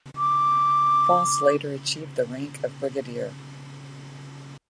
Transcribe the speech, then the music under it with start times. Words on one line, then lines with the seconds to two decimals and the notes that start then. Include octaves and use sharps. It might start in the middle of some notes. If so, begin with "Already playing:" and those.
Foss later achieved the rank of brigadier.
0.17 D6